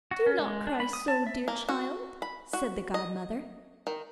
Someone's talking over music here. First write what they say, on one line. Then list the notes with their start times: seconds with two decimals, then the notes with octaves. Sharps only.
'Do not cry so, dear child,' said the godmother.
0.11 F#4
0.26 C#4
0.39 G#3
0.67 D4
0.80 B5
0.93 D#6
1.08 A5
1.27 E5
1.48 A#3
1.69 F#4
2.22 B5
2.53 F#4
2.94 D#5
3.87 D#3